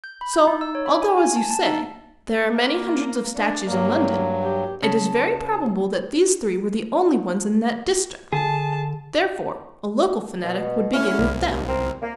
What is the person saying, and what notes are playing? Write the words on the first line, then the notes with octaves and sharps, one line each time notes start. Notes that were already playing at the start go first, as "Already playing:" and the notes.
So, although, as you say, there are many hundreds of statues in London, it is very probable that these three were the only ones in that district. Therefore, a local fanatic would begin with them.
G6
B5
G6
D#4
E6
C#5
B5
G#5
G#5
A5
A5
D#4
A#3
D4
G2 F#3 A#3
G4
C#3 A5
D3 G#4 A5
B2
D3 C#4 E4 F6
C2
D#2
C4 A#4
A#3